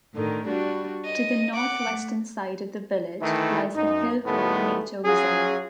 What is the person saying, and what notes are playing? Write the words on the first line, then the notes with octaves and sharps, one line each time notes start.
To the north-western side of the village lies the Hill Hole Nature Reserve.
A2 D3 D#3
G3 D4 F#4
D#5
F#5 D6
A3
D#3 E3 A3 E4
F#2 D#4
D#2 A2 G#3 A3 B3
F#3 C#4 F4 G#4